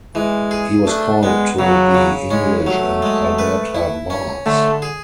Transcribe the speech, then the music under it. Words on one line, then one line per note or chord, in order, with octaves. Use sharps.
He was called to the English and Alberta bars.
E3 G#3
G#4
A3 D4
G#3 B3
C#3 F#3
C#3
G#3 C#4
F#3 A3
G#3
B4
E4
C#4
D3 A3
G#4